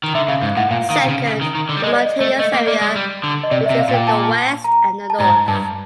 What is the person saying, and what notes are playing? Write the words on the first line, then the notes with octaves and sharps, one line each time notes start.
Second, the mountainous area which is in the west and the north.
D#3
D3 E5
C#3 F5
G#2
A2 F#5
A#2 F5
D#3
C3
C#3
C#3
D#3
D#3
D3
G3
G#3 D#5
D5
D#5
A3
A3 D#5
A#3
A#3 D5
G#3
G3
D3
D#5
C3 D5
E5
C3
F5
A#2 G5
A5
A#5
A5
G#2 A#5
G2 A5